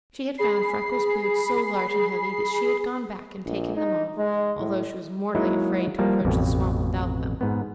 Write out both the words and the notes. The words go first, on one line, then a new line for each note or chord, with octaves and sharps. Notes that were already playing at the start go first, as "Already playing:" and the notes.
She had found Freckles' boots so large and heavy that she had gone back and taken them off, although she was mortally afraid to approach the swamp without them.
G#4 B5 C7
A#1
D#4
G#3
A2
F#3 G#3 A#3 D#4 E4
F3 G3 A#3 A5
A1 F2 B2
G#2 B3